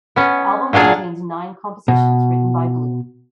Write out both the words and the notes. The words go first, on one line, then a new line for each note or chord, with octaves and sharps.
The album contains nine compositions written by Bloom.
B3 C#4
A#2 F#3 D4 G#4 F5
B2